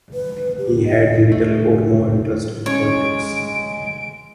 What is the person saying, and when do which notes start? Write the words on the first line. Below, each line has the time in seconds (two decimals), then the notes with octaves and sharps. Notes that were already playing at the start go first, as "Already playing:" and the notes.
He had little or no interest in politics.
0.14 B4
0.58 G4
0.85 D#5
1.32 A3
2.66 G#3 C#4 C#5 D7